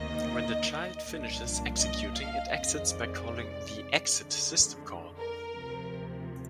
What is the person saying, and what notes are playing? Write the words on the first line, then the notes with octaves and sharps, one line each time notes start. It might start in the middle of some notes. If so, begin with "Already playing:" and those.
When the child finishes executing, it exits by calling the "exit" system call.
Already playing: D2 C3 D#3 A#3 D#4 D#5
C2 A#2 F3 A#3 D4
D#5
F5
F2 C3 D#3 G#3 D#5
D5
F2 D3 G#3 D4
A#4
D2 C3 F3